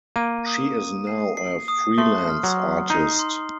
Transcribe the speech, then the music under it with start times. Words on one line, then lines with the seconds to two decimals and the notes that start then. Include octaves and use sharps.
She is now a freelance artist.
0.16 A#3 D#7
0.46 D#6
0.77 D#7
1.07 C7
1.37 C7
1.68 D#6
1.98 A3 C6
2.29 F6
2.43 F#3
2.59 C6
2.89 D#4 C7
3.19 C6